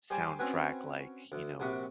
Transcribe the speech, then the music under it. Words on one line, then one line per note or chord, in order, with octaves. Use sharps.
soundtrack, like, you know
G3 G4 C5 G#5 D6
C4 C#4 F#4 B4 C#5
D2
A#1 C3 F#4 B5